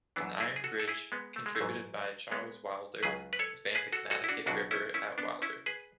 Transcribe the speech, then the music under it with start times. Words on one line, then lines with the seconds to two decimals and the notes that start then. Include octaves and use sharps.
An iron bridge contributed by Charles Wilder spanned the Connecticut River at Wilder.
0.16 F#2 C#3 E3 B3 D4
0.40 E4 G#4
0.56 G#4
0.64 F#4 A4
0.80 A4
0.88 E4 G#4
1.12 G#3 B3
1.36 A3
1.46 G#3
1.55 A3
1.61 A1 G#2 F#3
2.32 G#3 B3
3.03 C#2 C#3 F#3 G#4 B4
3.33 B4
3.39 A4 C#5
3.75 G#4 B4
3.93 F#4 A4
4.11 F#4 A4
4.24 E4
4.29 D4 F#4
4.46 C#2 B2 F#3 D4 F#4
4.71 C#4 E4
4.94 C#4 E4
5.18 B3 D4
5.42 C#4 E4
5.66 G#4 B4